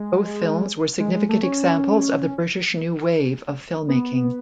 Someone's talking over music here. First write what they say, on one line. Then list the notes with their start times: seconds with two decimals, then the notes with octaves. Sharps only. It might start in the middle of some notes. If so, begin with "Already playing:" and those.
Both films were significant examples of the British New Wave of film-making.
Already playing: G#3
0.99 G#3
1.14 G#3
1.29 A3
1.43 C#4
3.88 B3